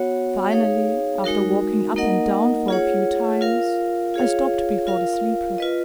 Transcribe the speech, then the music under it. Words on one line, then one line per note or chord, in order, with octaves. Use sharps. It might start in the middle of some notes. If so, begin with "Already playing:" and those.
Finally, after walking up and down for a few times I stopped before the sleeper.
Already playing: B3 F#4 C#5 F#5
D#4 G#4 C#5 F5
G#3 D#4 F#4 A#4
A#3 D#4 A#4 D#5 F#5
F4 G#4 C#5 F#5
F4 A#4 F5
F4 G#4 C#5 F5
F4 A#4 F5
F4 B4 D#5